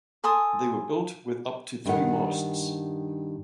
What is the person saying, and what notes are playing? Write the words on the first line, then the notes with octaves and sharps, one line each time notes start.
They were built with up to three masts.
A4 G#5 C6 D#6
G2 D#3 F#5